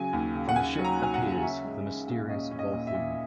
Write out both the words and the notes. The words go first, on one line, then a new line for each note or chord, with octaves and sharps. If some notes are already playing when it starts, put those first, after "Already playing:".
From the ship, appears the mysterious Volthoom.
Already playing: C#3 F#3 G#5
D#2
C#3
F#5
C#3 G#5
F#3
A#5
F#3 G#5
F#5
C#3
C#4 E5
G#3
C#4
A#2
C#4 D#5
C#4
D#5
A#2
E5
A#2